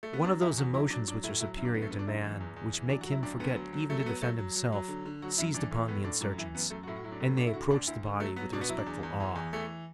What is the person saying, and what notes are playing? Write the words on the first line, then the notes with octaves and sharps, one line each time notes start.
One of those emotions which are superior to man, which make him forget even to defend himself, seized upon the insurgents, and they approached the body with respectful awe.
A3
B3
F#3 D4
E2 E4
E2 F#4
F#3 E4
F#3 D4
F#3 D4
A2 E4
F#3 E4
F#2 E4
D4
D3 B3
A3
D3 B3
D4
F#2 E4
E3
E2
E2
E3
F#3 D4
F#4
F#3
E4
D2 D4
D2 B3
F#3
F#3
F#3 A3
A3
F#3 B3
F#3 A3
F#3
F#3
F#3
D3
D3
F#3 F#4
F#2 E4
E3 D4
A2
A2 B3
A2 D4
F#2 D4
E3 E4
F#2 B3
F#2 A3
F#4
A2 E4
F#4
F#3 E4
D4
A2 B3
A2 D4
E4
D3 F#4
D2 D4
D2 E4
D3
F#3 A3
F#3 B3
B2 D4
B3
F#3 E4
D4
E2
E2
E3
E2
E3 A3